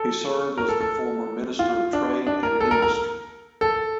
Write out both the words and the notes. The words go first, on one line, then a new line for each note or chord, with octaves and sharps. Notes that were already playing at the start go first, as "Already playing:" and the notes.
He served as the former Minister of Trade and Industry.
Already playing: A4
A#4
A4
A4
F4
D4
D4
A#4
A4
A#4
A#4
A4